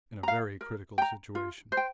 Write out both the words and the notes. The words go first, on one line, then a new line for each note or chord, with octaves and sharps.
In a very critical situation.
F5 A#5
A#4
G5 A#5
F4
C5
G5